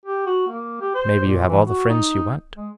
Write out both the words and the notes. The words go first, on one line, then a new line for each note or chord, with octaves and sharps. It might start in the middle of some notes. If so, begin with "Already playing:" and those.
But maybe you have all the friends you want.
G4
F#4
A#3
G4
C5
A#2
E3
F#4
D#4
G#3